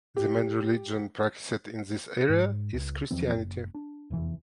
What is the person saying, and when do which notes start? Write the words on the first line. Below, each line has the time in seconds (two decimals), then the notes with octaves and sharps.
The main religion practiced in this area is Christianity.
0.16 G4
2.29 G#2
2.74 C#2
3.11 E2 E3 F3 C4
3.35 F#1
3.74 D4
4.10 F1 E2 E3